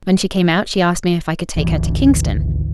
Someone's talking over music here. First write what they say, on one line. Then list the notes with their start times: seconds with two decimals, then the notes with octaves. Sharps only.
When she came out she asked me if I could take her to Kingston.
1.56 G#1 D2 E3